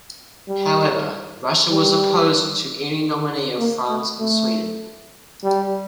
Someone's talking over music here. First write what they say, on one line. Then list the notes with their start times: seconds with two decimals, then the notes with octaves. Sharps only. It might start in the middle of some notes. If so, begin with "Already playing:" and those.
However, Russia was opposed to any nominee of France and Sweden.
0.48 G3
1.71 G3
3.58 A#3
3.89 A3
4.19 A3
5.44 G3